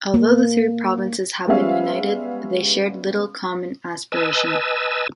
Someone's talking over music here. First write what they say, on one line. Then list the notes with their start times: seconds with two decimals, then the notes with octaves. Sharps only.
Although the three provinces had been united, they shared little common aspiration.
0.14 A#3
1.47 G3 G#3 B3 C#4 E5 F5
4.12 B4 D#5 G#5 A5 E6